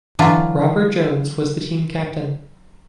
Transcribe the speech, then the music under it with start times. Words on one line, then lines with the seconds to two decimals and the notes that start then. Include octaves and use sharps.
Robert Jones was the team captain.
0.19 D3 E3 F#3 D4 F4